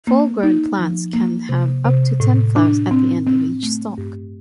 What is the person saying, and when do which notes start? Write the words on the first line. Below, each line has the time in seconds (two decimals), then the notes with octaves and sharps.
Full-grown plants can have up to ten flowers at the end of each stalk.
0.07 A#3
0.43 D#4
0.79 F3
1.13 A#3
1.49 C3
1.85 C3
2.20 A2
2.56 D4
2.91 C4
3.26 C4
3.63 A3
3.98 G2